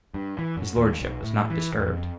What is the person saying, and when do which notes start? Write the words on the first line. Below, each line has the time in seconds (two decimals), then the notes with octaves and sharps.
His lordship was not disturbed.
0.14 G2
0.39 E3
0.57 F#2
0.76 D#2
1.00 B1
1.23 A2
1.50 E3
1.79 F2